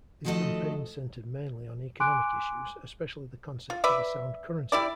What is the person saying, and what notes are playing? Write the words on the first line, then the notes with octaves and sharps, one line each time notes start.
The campaign centered mainly on economic issues, especially the concept of a sound currency.
D#3 F3 A3 F#4 A4 D#5
G#5 C6 D6 F#6 D7
F4
B4 D5 E5
G3 E4 D5